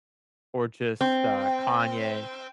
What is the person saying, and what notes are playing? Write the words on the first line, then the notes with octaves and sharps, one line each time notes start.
or just, uh, Kanye.
C4